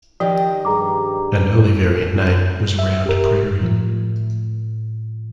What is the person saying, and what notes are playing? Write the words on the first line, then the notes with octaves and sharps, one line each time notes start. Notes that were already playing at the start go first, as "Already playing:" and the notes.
An early variant name was Round Prairie.
D#3 F3 G4 D#5
G2 G#4 A#5 D6
E5
G4 A#4
A2 F3